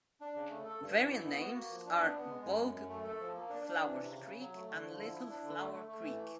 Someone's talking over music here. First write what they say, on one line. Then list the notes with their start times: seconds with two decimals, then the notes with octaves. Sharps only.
Variant names are "Bogue Flowers Creek" and "Little Flower Creek".
0.21 D4
0.36 C#3
0.50 A3
0.65 A4
0.81 G2
0.96 E3
1.11 E4
1.25 B3
1.41 F#4
1.55 A#3
1.70 F3
1.86 D4
2.00 B3
2.15 B3
2.30 G#3
2.44 F#2
2.60 F#2
2.75 F#2
2.89 A3
3.04 A4
3.20 F3
3.34 A#3
3.50 D4
3.65 D4
3.79 E3
3.94 C3
4.09 C#3
4.24 C#3
4.39 F#3
4.54 A3
4.68 D3
4.84 F3
4.99 E4
5.14 E4
5.29 D4
5.43 D3
5.58 A3
5.73 A3
5.88 A3
6.03 E3